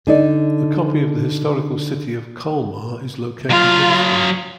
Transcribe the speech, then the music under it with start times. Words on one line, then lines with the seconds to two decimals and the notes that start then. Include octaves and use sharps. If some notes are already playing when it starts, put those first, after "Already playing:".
A copy of the historical city of Colmar is located next to it.
0.07 D3 D#4 D5
3.50 F#3 F4 F5